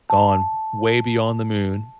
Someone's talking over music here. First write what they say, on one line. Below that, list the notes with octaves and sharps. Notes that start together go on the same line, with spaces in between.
gone way beyond the moon
A5